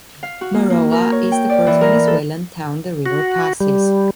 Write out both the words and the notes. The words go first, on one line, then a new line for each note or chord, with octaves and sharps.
Maroa is the first Venezuelan town the river passes.
F5
F#4
A#3
A#3
A#4
C#5
G5
D5
E3
A#4
A4
F#4
G3